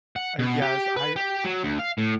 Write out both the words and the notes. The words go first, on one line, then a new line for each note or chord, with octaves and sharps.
Uh, yes, I
F#5
B2
G4
B4
G4
F#3
D2
F5
A2